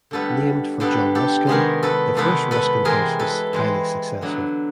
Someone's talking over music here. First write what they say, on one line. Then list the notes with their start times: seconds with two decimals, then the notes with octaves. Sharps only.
Named for John Ruskin, the first Ruskin House was highly successful.
0.11 D3 G3 B3 A4 B4
0.80 D3 G3 B3 A4 B4
1.15 G4 A4
1.47 C3 D#3 G#3 B3 G#4 A#4
1.83 A4 B4
2.15 C3 D#3 G#3 B3 A4 B4
2.51 A4 B4
2.85 E3 G#3 C4 G#4 A#4
3.19 A4 B4
3.53 E3 G#3 C4
4.22 D3 F#3 B3